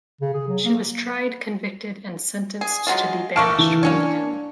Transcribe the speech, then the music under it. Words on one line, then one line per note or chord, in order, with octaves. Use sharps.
She was tried, convicted and sentenced to be banished from the town.
C#3
G#4
F#3
A#3
G#4
F#3 G#3 F4
A3 A#3 A5 C#6 F6 D7
E3
A#3 C#4 D4 C#5